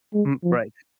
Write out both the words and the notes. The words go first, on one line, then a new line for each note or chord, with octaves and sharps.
Hmm, right.
G#3
F3